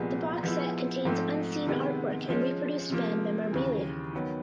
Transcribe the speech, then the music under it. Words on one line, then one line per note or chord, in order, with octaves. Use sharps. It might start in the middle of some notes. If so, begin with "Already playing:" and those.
The box set contains unseen artwork and reproduced band memorabilia.
Already playing: C2 A#2 F3 G#3 B3
F3 G#3 B3 E4
G#2 F3 A3 C4
C3 D#3 G#3 B3
F3 G#3 C#4
C3 F3 A#3
D#2 C#3 E3
D#3 F#3 B3